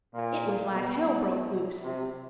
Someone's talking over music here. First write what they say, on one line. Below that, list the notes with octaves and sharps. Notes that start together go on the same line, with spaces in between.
It was like hell broke loose.
A#2
B2
C3